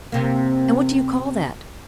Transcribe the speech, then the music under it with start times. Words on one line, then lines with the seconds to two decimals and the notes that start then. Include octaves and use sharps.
"And what do you call that?"
0.12 C3 A#3